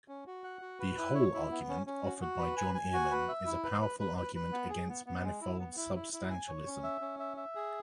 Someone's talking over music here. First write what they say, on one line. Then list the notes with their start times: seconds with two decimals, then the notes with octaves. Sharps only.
The "hole argument" offered by John Earman is a powerful argument against manifold substantialism.
0.08 C#4
0.27 F#4
0.44 F#5
0.62 F#4
0.80 B4
0.98 E4
1.15 C#5
1.34 E4
1.51 B3
1.69 C#4
1.87 C#4
2.05 F#4
2.21 F#4
2.39 B4
2.57 G#5
2.75 G#5
2.93 F#4
3.11 B4
3.28 E5
3.46 E4
3.64 B4
3.82 B4
4.00 B4
4.17 B4
4.35 B4
4.53 B3
4.70 G#4
4.89 B3
5.06 B3
5.24 G#3
5.41 E4
5.59 B3
5.77 E4
5.95 E4
6.13 E4
6.30 G#5
6.48 C#5
6.67 C#4
6.83 E5
7.01 C#4
7.19 E5
7.37 E5
7.55 G#4